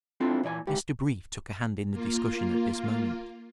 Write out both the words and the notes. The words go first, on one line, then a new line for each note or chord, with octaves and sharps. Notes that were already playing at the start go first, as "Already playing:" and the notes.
Mr. Brief took a hand in the discussion at this moment.
C4 D4 E4 F4 A4
A#2 E3 D5 G#5
G#2 G4
A#3 F4